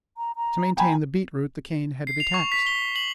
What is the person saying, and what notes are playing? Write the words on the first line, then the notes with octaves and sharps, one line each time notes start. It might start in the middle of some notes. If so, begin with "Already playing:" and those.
To maintain the beet-root, the cane had to be taxed.
A#5
A#5
G5 G#5 A#5 B5
C7
F7
C#6
B6
G7
F#7